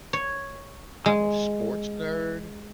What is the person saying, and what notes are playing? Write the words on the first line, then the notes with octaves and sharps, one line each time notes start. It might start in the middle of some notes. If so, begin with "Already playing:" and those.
I'm a sports nerd
C#5
G#3